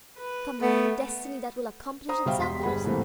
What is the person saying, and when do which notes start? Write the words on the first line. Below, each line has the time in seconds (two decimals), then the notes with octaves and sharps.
Some Destiny that will accomplish itself in us.
0.18 B4
0.62 A3 B3
2.09 C5 A#5 D#6
2.25 B2 G3 C5 E5 F5 G5
2.38 E1 G4 C6 B6
2.63 G1 G3 G#4 F#5 B5
2.84 G#2 C3 E3 A3 A#3 C4